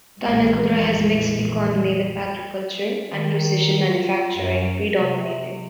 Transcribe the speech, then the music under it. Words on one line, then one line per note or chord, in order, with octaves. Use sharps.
Tanagura has mixed economy with agriculture and precision manufacturing predominating.
A#1 F2 E3 G#3
D#3
F4
F#2
C3